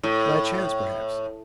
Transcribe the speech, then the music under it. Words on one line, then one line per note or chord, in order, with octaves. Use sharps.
'By chance, perhaps.
A2